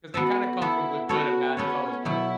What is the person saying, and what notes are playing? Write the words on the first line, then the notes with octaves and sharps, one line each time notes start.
'Cause they kinda come from w good and bad. There's always good.
B3 F#4 A4 E5
B3 E4 A4 E5
B3 F#4 A4 C#5
B3 C#4 A4 C#5
B2 F#3 B3 E4